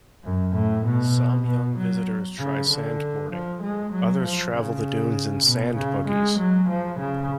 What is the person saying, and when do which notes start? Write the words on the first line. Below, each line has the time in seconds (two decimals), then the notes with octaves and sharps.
Some young visitors try sandboarding; others travel the dunes in sand buggies.
0.24 F#2
0.55 A2
0.85 B2
1.46 B2
1.77 F#3
2.39 C#3
2.69 D3
3.31 F3
3.62 G#3
3.93 F#3
4.23 F3
4.54 C#3
5.46 B2
5.76 C#3
6.08 G#3
6.38 F#3
6.69 F3
6.99 C#3